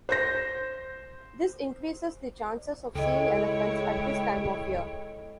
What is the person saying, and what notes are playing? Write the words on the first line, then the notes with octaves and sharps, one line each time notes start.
This increases the chances of seeing elephants at this time of year.
C5 G6 A#6
C#2 G#3 E4 A4 C#5 D#5 G5